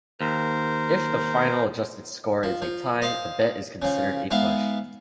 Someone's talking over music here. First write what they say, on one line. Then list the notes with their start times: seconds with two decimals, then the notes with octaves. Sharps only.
If the final adjusted score is a tie, the bet is considered a push.
0.21 D#2 A#4 C5
2.43 F3
2.62 F3
3.02 C5 D#5 F5
3.82 C#3 F3
4.31 G#2 B3 E5 F5